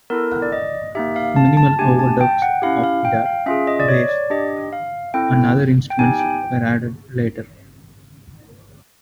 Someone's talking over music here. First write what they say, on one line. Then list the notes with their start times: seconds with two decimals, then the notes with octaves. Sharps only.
Minimal overdubs of guitar, bass and other instruments were added later.
0.10 B3 E4 A4 A#4
0.42 D5
0.52 D#5
0.95 A#3 D#4 G4 E5
1.16 F5
1.36 A5
1.57 A5
1.79 A3 D4 G4 G#5
1.99 A5
2.21 G5
2.42 F#5
2.62 C#4 E4 G4 F5
2.84 F5
3.05 G5
3.26 F5
3.46 C#4 F4 G#4 E5
3.67 D#5
3.80 D5
3.88 C#5
4.09 D5
4.30 D4 G4 D#5
4.73 F5
5.14 C4 E4 A4 G5
5.90 G5
5.99 B3 D#4 G4 G#5
6.19 G5